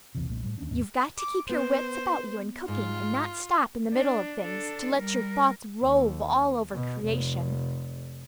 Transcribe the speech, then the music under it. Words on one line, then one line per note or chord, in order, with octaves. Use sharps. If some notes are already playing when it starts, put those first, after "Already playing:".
You've got to keep your wits about you in cooking and not stop in the middle of things to let your thoughts rove all over creation.
B1 E2 C3
F#1 B1 A#2 G#3
A2 G3
D#2 C#4 D4
D1 A1 D#2 G#2
D6
B3 C5
G#2 F4
D4
D4 A4
G3 A#4
D#2
B2
F1